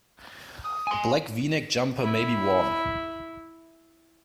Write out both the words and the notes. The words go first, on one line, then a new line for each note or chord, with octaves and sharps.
A black v-neck jumper may be worn.
D#6
G#5 C6
E4 B5